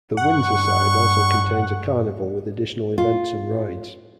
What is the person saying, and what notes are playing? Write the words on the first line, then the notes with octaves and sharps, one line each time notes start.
The Windsor side also contains a carnival with additional events and rides.
G2 F#5 C#6
F4